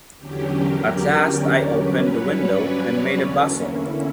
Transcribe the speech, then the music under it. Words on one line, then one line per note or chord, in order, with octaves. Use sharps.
At last I opened the window and made a bustle.
E2 D3 F#3 C#4 G4
A#4
D5
C#5
G2 F#3 C#4 B4
C#5
D5
D5
E2 D3 A#3 C#4
E4